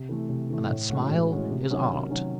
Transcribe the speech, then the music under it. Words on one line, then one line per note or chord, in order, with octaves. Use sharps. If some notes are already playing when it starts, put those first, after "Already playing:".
And that smile is art.
Already playing: C3
E3 A3
C3
E3 A3
A2
E3 G#3 C#4 F#4
A2
E3 G#3 C#4 F#4
C3
D#3 F#3 C#4
C3
D#3 F#3 C#4